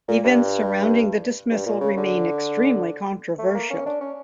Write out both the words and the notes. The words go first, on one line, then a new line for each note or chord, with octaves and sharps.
Events surrounding the dismissal remain extremely controversial.
A#2
G2
G2
A#2
C#3
D3
A3
A#3
C#4
D4
C#4